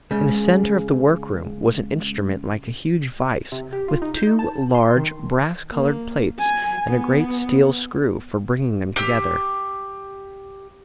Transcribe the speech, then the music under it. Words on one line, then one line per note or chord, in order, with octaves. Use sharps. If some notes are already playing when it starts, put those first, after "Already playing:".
In the centre of the workroom was an instrument like a huge vice, with two large brass-coloured plates, and a great steel screw for bringing them together.
C#3 G#3
C3
G4
F4
D#4
G6
D#4
A5
C6
D#3
A#3
G#5
B3
G4 E6